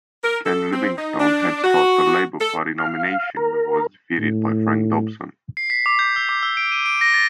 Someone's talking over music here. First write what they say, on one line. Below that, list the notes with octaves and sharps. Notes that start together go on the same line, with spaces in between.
Ken Livingstone had sought the Labour Party nomination but was defeated by Frank Dobson.
A#4
A4
C4
D#4
D4
F#4
A4
F5
A#4
A2
C7
B6
D6
G6
E6
D6
E6
D7
D#7
D7
A#6
A6